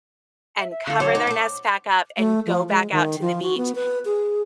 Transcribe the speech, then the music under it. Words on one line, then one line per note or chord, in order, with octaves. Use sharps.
and cover their nest back up and go back out to the beach,
E5
E5
D3 A4 F5
F#3 C5 C#5 D6
D#4 D6
A3 A4
A3
F3
G#3
D#3
F3
F#4
B3
B4
G#4